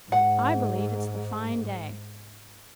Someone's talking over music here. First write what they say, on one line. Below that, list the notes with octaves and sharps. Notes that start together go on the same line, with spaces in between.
I believe it's the fine day.'
G#2 F#5